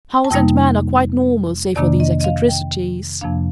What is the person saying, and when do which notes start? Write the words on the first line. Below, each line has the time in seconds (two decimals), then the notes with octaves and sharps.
House and man are quite normal save for these eccentricities.
0.25 A5
0.31 F2 C3 G3 A#3 D#4 G5
1.76 F2 C3 D#3 A#3 D4 D5
2.00 D#5
2.21 D#5
2.24 F5
2.49 G5
3.21 F2 C3 F3 A#3 D4 F5